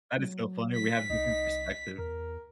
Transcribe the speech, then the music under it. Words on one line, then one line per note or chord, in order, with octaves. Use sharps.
That is so funny. We have different perspectives.
F#3
B6
C2 D#4
E2 A#4